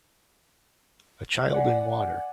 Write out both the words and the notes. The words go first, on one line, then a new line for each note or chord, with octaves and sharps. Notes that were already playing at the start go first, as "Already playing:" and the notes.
A child in water.
D5 F#5 G#5